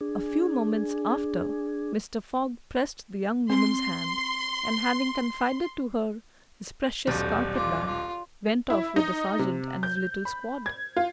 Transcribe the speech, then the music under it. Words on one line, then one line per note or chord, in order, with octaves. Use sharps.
A few moments after, Mr. Fogg pressed the young woman's hand, and, having confided to her his precious carpet-bag, went off with the sergeant and his little squad.
D4 G#4
C4 C6
D#1 B1 G3
F4 D6
F4
E4
D#4
C3
G6
B5
G#6
F4